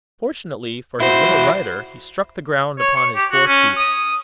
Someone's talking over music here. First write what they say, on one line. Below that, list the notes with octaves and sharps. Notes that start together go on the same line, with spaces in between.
Fortunately for his little rider he struck the ground upon his four feet.
E4 F#4 C5
C#5
C#6
G4
F#4
C#4
D#6